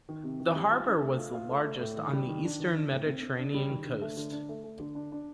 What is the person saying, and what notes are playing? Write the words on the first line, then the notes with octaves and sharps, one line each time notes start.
The harbor was the largest on the eastern Mediterranean coast.
D#3
C3
D#3
G3
F4
D4
A3
F4
F4
A3
A3
A2
D#3
G3
D#3
D4
D#3
D4
A2
C4
C4
D4
G3
D#3
D3
A3
D3
D4
A3
A3
D3
D4
D4